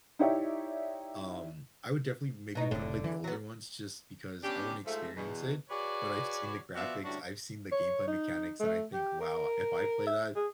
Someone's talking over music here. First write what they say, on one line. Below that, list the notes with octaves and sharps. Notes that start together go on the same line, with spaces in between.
Um, I would definitely maybe wanna play the older ones, just because I wanna experience it. But I've seen the graphics, I've seen the gameplay mechanics, and I think, "Wow. If I play that,
D#4 E4 G4 C#5 D5 E5
B2 D#4
F1 A2 D3
E3
F#3 B3
B3 C#4 D4 G4
G#2 F3 A3
E2 B2
F#4 G#4 B4 C#5 D5
F3 B3 F#4 D5 E5
D2 G2 C#4 D4 E4 F#4
C#5
D#4
A3
G4
A#4
E5
G#4